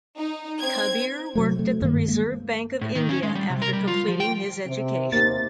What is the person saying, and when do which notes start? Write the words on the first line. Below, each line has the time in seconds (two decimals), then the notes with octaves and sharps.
Kabir worked at the Reserve Bank of India after completing his education.
0.17 D#4
0.60 C4 G#6
1.35 C3 F#3 A3
1.59 A3
1.81 G2 D#3 A#3
2.08 G#3 A#3
2.81 A2
2.95 D#3
3.09 C#4
3.23 G#3
3.35 G3
3.50 C3
3.62 A#4
3.73 G3
3.88 F4
4.08 F3
4.20 G5
4.66 C3
5.12 D#2 C3 A#3 A6